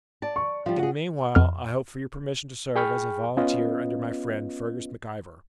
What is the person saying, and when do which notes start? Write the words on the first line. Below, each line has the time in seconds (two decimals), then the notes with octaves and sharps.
In the meanwhile, I hope for your permission to serve as a volunteer under my friend Fergus Mac-Ivor.'
0.22 D5 A5
0.36 C#6
0.66 F3 G3 F4
0.79 F#4 G#4
1.35 F2 F6
2.76 G#4 G5 B5 C#6 F6
3.37 B3 C#4 F4 B4 D#5